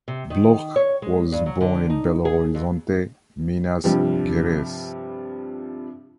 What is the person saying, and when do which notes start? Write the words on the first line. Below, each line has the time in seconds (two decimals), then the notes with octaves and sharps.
Bloch was born in Belo Horizonte, Minas Gerais.
0.08 C3
0.30 D#3
0.76 C#5
1.02 G#3
1.32 G2
1.46 F#3
1.61 D3
1.90 D#4
2.25 G#4
2.55 F2
3.84 G2 C3 F3 G3